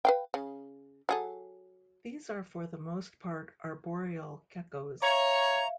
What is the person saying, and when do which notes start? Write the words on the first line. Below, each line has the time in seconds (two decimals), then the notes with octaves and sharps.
These are for the most part arboreal geckos.
0.05 B4 F5 G5
0.34 C#3
1.09 F#3 G#4 A4
5.02 C#5 E5 F5 A#5